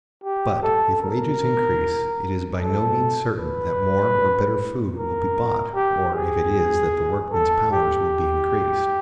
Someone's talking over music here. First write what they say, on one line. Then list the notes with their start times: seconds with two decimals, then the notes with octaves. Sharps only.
But if wages increase, it is by no means certain that more or better food will be bought or if it is that the workmen's powers will be increased.
0.24 G4
0.63 A4
1.03 A#4
2.60 A4
3.39 B4
4.96 A#4
5.75 G4
6.15 G#4
7.32 A4
7.72 G4